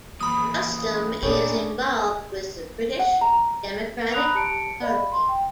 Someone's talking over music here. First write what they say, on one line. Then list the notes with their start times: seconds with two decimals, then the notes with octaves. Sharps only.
Rustem is involved with the British Democratic Party.
0.20 A#2 E3 B5 D#6
1.23 A#2 D4 G4 G#4 A#4 C#5
2.99 F#5
3.21 A#5
4.12 A#5 B5 D#6 F#6 A#6 F7
4.35 G4 A5 C#7 D7
4.81 D5 D#5 F5 B5
5.12 C6
5.28 G5